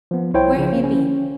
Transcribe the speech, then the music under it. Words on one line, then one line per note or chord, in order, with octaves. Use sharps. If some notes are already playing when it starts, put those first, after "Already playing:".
Where have you been?'
F3 B3
C2 E4 C5 C#5 G5
C#3 F3
A#3
C#4